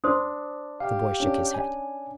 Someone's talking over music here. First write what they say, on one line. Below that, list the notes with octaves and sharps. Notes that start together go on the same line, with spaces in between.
The boy shook his head.
D4 C5 C6 D#6
G4 F5
C#4 D4
G#5